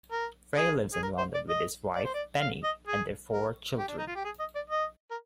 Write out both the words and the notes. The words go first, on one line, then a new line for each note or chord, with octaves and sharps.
Frei lives in London with his wife, Penny, and their four children.
A#4
G#4
G#4
A#4
C5
D5
D#5
D5
C5
D5
F5
D#5
G#4
A#4
G4
D4
D#4
F4
G4
G#4
D#5
D5
D#5
A#4